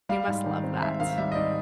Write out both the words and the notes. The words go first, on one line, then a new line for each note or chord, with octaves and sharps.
You must love that.
G3 F5
G#2
D#3
C4
G#2 E5
D#3 F5
G3 E5
D#5
G#2 D5